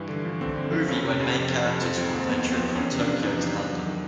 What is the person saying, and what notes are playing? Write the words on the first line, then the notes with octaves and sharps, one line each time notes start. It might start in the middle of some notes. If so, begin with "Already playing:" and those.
Movie when main characters were on their trip from Tokyo to London.
Already playing: G2 E3
D3
F3
D3 C4
D3
F3
F2 C#4
C3
F2
C3
C3
F2
F3 C4
F3
D#2
F3 B3
D#2
C4
F3
E2 C#4
C3
D4
E2
E2 D#4
F3
E2
F#3
D#3